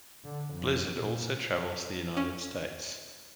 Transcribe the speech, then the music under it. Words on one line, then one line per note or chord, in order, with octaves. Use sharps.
Blizzard also travels the United States.
D3
F2
A#2
C#4